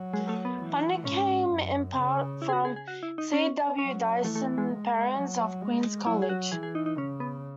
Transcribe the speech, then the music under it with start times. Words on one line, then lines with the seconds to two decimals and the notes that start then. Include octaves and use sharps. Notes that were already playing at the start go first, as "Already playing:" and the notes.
Funding came in part from C. W. Dyson Perrins of Queen's College.
Already playing: F#3
0.14 G#3
0.29 A3
0.45 B3
0.60 E3
1.05 G#2 C#4
1.51 F#2
1.96 C#3
2.42 E4
2.49 G#4
2.53 F#4
2.65 G#4
2.76 G#4
2.88 F#4
3.03 E4
3.18 D#4
3.33 C#4
3.79 F#3 C#4
4.24 E3 A3
4.35 A3
4.58 G#3
4.69 G#3
5.15 F#3
5.61 G#3
6.06 F#3 E4
6.22 G#4
6.29 F#4
6.52 E3 G#4
6.63 G#4
6.75 D#4
6.86 D#4
6.98 C#3 C#4
7.20 B3